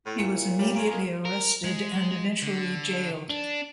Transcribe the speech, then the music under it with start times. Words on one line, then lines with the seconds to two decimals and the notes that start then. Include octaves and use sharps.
He was immediately arrested and eventually jailed.
0.06 A2 E4
0.19 A#2 C#7
0.59 G3 G4 C#5
0.76 F4 C#5 G#5 A#5 D7
0.91 G#3 A#3
1.25 A#4
1.65 G#3
2.43 D3
3.29 D4